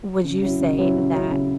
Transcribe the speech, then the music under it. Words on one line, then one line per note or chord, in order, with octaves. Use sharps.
would you say that
C#3
F#3 C#4 E4
C#3
F#3 C#4 E4
C#3
F#3 C#4 E4
C#3